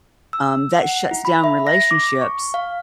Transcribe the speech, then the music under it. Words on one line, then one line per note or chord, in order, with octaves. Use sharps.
Um, that shuts down relationships
E6
F#5
E4
B5
E5
A#6
D6
C#6
F5